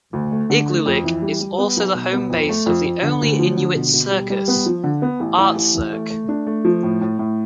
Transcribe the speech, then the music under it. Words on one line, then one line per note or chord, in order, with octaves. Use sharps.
Igloolik is also the home-base of the only Inuit circus, Artcirq.
D2
A3
D3
A3
F2
E3
G3
G3
B3
B1
B2
B3
F2
A3
F2
F2
D3
D2
F3
D3
B2
B2
G3
G3
B3
F3
D3
B3
A1
A1
A1
E3
A3
A3
D4
A3
F3
A2
A2
A2